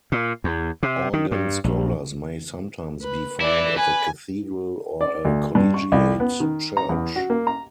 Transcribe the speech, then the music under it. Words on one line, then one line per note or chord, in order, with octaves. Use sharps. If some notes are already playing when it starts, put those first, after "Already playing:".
Organ scholars may sometimes be found at a cathedral or a collegiate church.
A#2
E2
C3
D#3
G2
A#1
B4
E3 E4 D5
B4 G#5
D5
D2
G2
C#6
C2
B3
D#3
A#5
E2
F#4
A#3
A#5